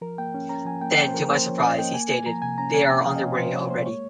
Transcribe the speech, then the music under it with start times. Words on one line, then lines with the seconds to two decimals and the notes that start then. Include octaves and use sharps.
Then to my surprise he stated, 'They are on their way already.
0.01 F3 A#4
0.18 A#3 G5
0.34 C#4
0.49 C#4 A#5
0.65 F3 G#5
0.81 A#3 G5
0.98 C#4 G5
1.08 C5
1.14 F3 A#4
1.30 A#3 C5
1.46 F3 C#5
1.62 C#4 D#5
1.79 A#3 G5
1.94 A#3 G#5
2.10 A#3 G#5
2.26 F3 A#5
2.42 C3 G#5
2.58 C#4 A#5
2.74 C#4 G#5
2.90 C3 G5
3.06 F3 F5
3.16 D#5
3.23 C3 C#5
3.38 F3 C5
3.55 F3 C#5
3.70 A#3 C5
3.86 G#3 C#5